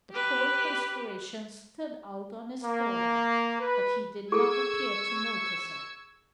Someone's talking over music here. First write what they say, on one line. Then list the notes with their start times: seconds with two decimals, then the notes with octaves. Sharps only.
The cold perspiration stood out on his forehead but he did not appear to notice it.
0.11 G4 B4
2.63 A#3
3.61 B4
4.32 G#4 A4 C#6 E6 G#6